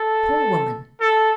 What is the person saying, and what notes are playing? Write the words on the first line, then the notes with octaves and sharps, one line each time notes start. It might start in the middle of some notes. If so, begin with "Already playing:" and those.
"Poor woman!"
Already playing: A4
A4